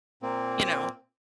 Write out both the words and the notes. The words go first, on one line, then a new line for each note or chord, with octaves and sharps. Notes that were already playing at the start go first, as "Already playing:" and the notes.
you know?
A#2 A#3 C4